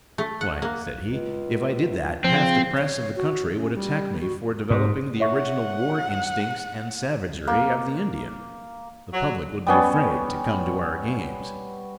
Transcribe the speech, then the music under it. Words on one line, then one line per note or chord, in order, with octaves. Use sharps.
"Why," said he, "if I did that, half the press of the country would attack me for developing the original war instincts and savagery of the Indian! The public would be afraid to come to our games!"
A3
F#5
A#3
C#2
C#3 F3 C4
C#5
F#4
C#4
G3
F#4
G#2
C#5 E5 F#5 C#6
A#3
F#3
G3 B3 C#4